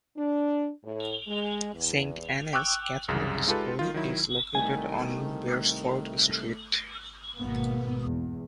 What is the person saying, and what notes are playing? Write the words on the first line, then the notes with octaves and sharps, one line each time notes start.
Saint Annes Catholic School is located on Beresford Street.
D4
A2
G#3
E2
G5 C#6 D6 E6 F#6
C2 F#2 C#3
G#3 D#4 F4 G4 A4 B4
D#3 F4
D#3 F#3 E4
C2 D#3 A3 G#5
G#1 G#2 B2 A#3 B3
E2